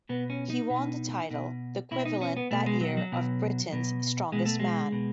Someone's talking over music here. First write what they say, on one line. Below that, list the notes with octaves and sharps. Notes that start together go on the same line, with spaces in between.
He won the title, the equivalent that year of Britain's Strongest Man.
B2 B3
C#4
D#4
B2
B2
B2 E4
D#4
C#4
B3
B2 A3
G#3
F#3
F#3
B2
B2
B2 G#3
A3
G#3
B2